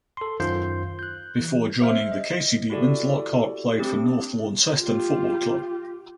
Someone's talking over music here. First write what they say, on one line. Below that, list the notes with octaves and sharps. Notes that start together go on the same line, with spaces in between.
Before joining the Casey Demons Lockhart played for North Launceston Football Club.
A4 C6
F#2 D#3 F4 C5 C6 G6
F#6 G6
E3
C5 E5 F6
D#5
E4 F#4 G4 A4 D5
A3 C4 D4 G4
F4 G4